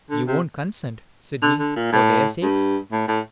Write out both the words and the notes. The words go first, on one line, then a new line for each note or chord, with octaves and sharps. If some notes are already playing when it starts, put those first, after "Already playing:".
You won't consent, Sydney, for their sakes?
D3
C3
D3
D3
A#2
A2
G2
A2
A2